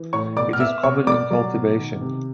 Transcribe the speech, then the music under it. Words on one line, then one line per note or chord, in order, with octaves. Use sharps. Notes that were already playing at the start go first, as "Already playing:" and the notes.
It is common in cultivation.
Already playing: E3
A2 C#5 C#6
B2 D5 D6
F6
B3 E5 E6
B2 C#5 C#6
B2 D5 D6
F#3
B2
D#3
C3